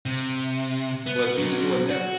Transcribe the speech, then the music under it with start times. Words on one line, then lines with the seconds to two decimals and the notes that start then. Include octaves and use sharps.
But you you are never
0.06 C3
1.06 B3
1.38 B2 F#3
1.90 F#4